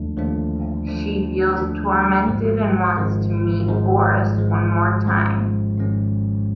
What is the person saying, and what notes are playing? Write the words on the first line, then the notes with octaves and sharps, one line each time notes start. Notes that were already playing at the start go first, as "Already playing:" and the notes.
She feels tormented and wants to meet Boris one more time.
Already playing: D#2 D3 F3 A3 D4
D#2 D3 F3 A3 D4
D#2 D3 F3 A3 D4
D#2 D3 F3 A3 D4
G#1 G#2 F3 G#3
G#1 G#2 F3 G#3
G#1 G#2 F3 G#3
G#1 G#2 F3 G#3
G#1 G#2 F3 G#3 C#4
G#1 G#2 F3 G#3 C#4